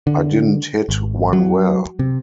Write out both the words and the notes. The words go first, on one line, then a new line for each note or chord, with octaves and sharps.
I didn't hit one well.
D3
G#1
F#3
C3